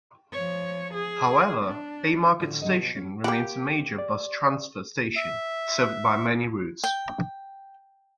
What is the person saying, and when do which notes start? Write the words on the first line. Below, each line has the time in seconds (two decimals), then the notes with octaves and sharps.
However, Haymarket station remains a major bus transfer station, served by many routes.
0.33 F3 C#5
0.94 G#4
1.65 D4
2.39 A2 D3
2.62 D3 F#3 D#5
2.74 B2
2.95 C#4
3.24 A#3 G4 F#5 G5 B5
3.98 D5
5.16 E5
6.84 G5